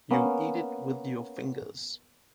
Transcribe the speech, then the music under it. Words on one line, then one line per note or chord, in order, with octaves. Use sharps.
You eat it with your fingers.
A#3 B3 C#4